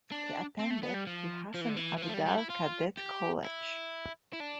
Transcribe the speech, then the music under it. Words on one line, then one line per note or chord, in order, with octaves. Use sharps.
He attended the Hassan Abdal cadet college.
D4
C4
A3
B3
G3
F3
F3
E3
D3
E3
E3
F3
A3
G3
G3
E4
F4
G4
E4
E4
D4